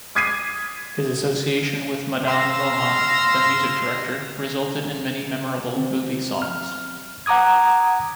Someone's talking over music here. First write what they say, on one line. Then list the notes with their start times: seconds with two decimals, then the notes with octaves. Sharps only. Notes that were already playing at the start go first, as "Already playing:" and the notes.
His association with Madan Mohan, the music director resulted in many memorable movie songs.
0.15 D6 D#6 G#6 B6 C7 D#7
2.25 F5 C6 E6 A#6
5.76 C4
6.42 F6
7.26 F#5 A#5 D6 D#6 G#6